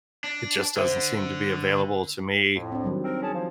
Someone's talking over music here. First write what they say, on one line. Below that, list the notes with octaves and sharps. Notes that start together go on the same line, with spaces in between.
it just doesn't seem to be available to me
D4
D3 C5 E5
F2 A2
C4 D4
D#3 F#3 G3
C4 A#4
C#4 G#4 A5
F3